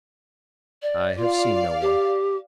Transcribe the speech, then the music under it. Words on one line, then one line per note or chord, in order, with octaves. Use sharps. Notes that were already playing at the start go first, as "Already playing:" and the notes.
"I have seen no one."
D5
F4 D5 F5
G4